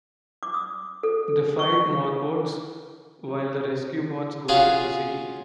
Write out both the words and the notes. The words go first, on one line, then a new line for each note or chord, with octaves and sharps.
They fight Morbots, while the Rescue Bots go into the city.
D6
D#6
A4
C#6
C#4 F4 F#4 G#4 F5